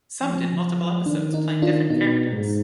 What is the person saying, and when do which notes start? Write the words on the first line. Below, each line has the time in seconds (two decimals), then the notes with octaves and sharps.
Some did multiple episodes playing different characters.
0.22 F3
1.06 D#3 D4
1.34 D#4
1.62 D4 F4
1.90 B2 D#4
2.32 G#2